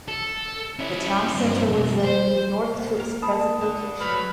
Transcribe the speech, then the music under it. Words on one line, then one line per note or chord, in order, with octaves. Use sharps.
The town center was then moved north to its present location.
A4
C#4 E4
G2 C4
F2 B2
C5
C3 B3
A#3 A#4
A5 B5 D#6
D3
F#3 A3 B4 B5 F6